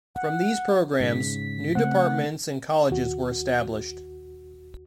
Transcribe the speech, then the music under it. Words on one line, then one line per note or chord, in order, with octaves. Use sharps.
From these programs, new departments and colleges were established.
F#5
G#2 C#3 B6
C#3 A3 C4 F#5
D#2 F#4